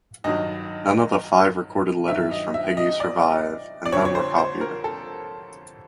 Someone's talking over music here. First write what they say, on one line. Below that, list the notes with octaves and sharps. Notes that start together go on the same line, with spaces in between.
None of the five recorded letters from Peggy survive and none were copied.
G2 D#3 F#3 D#5
G2 D#3 F#3 E5
D#5
E5
D#5
D5
D5
F2 D3 F3 C#5
C#5
C5
C5
A#4
A4